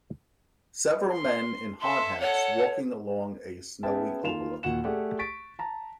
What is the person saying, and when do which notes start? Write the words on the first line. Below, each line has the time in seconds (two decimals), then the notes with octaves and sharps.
Several men in hard hats walking along a snowy overlook.
1.13 C6
1.81 A4 E5 C6
2.20 A4 C#5 F#5
3.83 B3 C#4 G#4 E5 G5 A5
4.23 D#3 A#3 F4 E7 F7
4.63 D#2 A#2 F#4 F#5 E7
4.84 A3 G4 G#4 D5 F#5
5.19 C#6 A6 B6 D7
5.59 A5 A#5